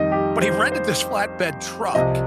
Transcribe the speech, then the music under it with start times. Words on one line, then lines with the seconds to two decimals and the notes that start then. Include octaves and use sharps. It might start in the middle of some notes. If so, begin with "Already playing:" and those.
but he rented this flatbed truck
Already playing: F2 D#3 G3 D#5
0.12 G4
0.42 C5
0.72 C5
1.94 C2 C3 F3 D#5